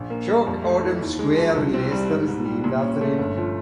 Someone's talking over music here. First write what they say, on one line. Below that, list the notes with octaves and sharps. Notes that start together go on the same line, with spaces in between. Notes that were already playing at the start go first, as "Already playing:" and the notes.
Shaykh Adam Square in Leicester is named after him.
Already playing: A#1
A#3
G3
F2
A3
E3
D#2
G#3
F3
C2
C4
G3
G#2
G#2
G3
A#2
C#4
A3
G1
F3